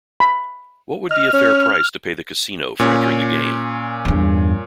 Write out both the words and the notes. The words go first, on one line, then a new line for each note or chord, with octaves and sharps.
What would be a fair price to pay the casino for entering the game?
B5
D#5 F6
C#4
A#2 C#4
E2 G2